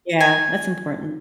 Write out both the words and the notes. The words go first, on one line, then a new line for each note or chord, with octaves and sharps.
Yeah, that's important.
G#5